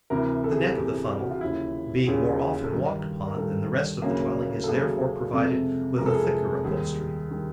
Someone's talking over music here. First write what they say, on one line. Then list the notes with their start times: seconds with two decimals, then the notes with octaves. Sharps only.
The neck of the funnel, being more often walked upon than the rest of the dwelling, is therefore provided with a thicker upholstery.
0.10 D2 C3 E3 A#4
0.44 A4
0.51 G#4
0.60 G4
0.67 G#4
0.76 D2 C3 E3 G4
1.19 F#4
1.31 F4
1.41 D#2 C#3 F3 E4
2.07 D#2 C#3 F3 G#4
2.64 A4
2.72 G2 D#3 G3 A#4
3.27 A#4
3.37 G2 D#3 G3 A4
4.02 D2 C#3 F#3 A#3
4.64 A4
4.68 D2 C#3 F#3 A#3 G#4
5.33 F2 C3 F3 G#3 A4
5.98 F2 C3 F3 G#3 A#4
6.06 A4
6.14 G#4
6.22 A4
6.64 D#2 D#3 G3 G#4
7.31 D#3 G3